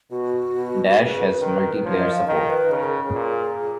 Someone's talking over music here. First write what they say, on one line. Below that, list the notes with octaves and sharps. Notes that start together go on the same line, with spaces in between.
"Dash" has multiplayer support.
B2 F#4
B2
C#3 B4
D#3
F3 C#5
D#5
F5
D#3 D#5
B4
C#3 G#4
A#4
G#4
A#2